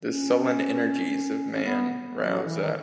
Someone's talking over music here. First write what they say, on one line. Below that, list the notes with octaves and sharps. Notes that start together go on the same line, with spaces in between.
The sullen energies of man rouse up.
C#4
C#4
B3
F#3
E3
D#3